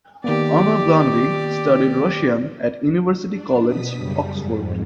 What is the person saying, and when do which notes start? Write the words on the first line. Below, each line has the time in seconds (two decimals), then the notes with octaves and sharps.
Anna Blundy studied Russian at University College, Oxford.
0.24 D#3 A#3 B3 G4 D5
3.29 D4
3.64 B2 D#6 B6
3.96 F#2 C#3 G3
4.36 F2 G#2